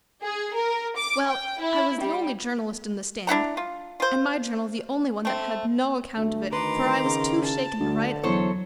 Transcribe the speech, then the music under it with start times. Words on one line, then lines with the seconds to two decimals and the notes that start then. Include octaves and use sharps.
Well, I was the only journalist in the stand, and my journal the only one that had no account of it, for I was too shaken to write it.
0.23 G#4
0.55 A#4
0.96 D6
1.28 G5
1.60 E4
2.01 G3
3.27 D4 E4 F#5 A#5
3.57 F4
4.00 F4 C5
5.25 A3 C4
6.17 D2 A3
6.52 D#3 B4 A#5 C6 D6
7.04 C#3
7.44 A5
7.80 D2 D3
8.23 E2 F#3 A4 C5 C#5